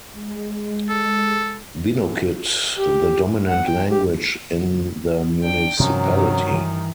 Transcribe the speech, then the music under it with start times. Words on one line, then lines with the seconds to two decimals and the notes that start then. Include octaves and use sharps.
Binukid the dominant language in the municipality.
0.13 G#3
0.89 A4
2.78 G4
3.49 F#5
3.66 G5
3.90 G4
5.43 D4 G5
5.80 G2 C3 D#3 F3 F#3 C#4
6.53 E3